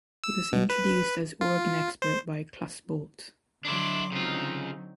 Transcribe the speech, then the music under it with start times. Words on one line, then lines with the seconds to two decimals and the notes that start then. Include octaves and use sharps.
He was introduced as organ expert by Klaas Bolt.
0.24 E6
0.53 B2
0.70 B4
1.41 F4
2.02 C5
3.65 D3 F#3 D4 E4 C6 D6
4.12 C#3 C4 D#4 F4